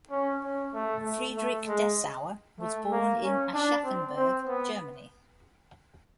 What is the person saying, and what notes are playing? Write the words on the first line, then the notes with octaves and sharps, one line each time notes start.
Friedrich Dessauer was born in Aschaffenburg, Germany.
C#4
C#4
A3
A3
A3
G#3
A3
A#3
C#4
D4
C4
C4
B3